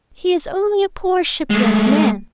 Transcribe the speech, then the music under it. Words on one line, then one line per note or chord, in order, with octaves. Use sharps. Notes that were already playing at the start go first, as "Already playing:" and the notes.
He is only a poor shipwrecked man.
G#3 A3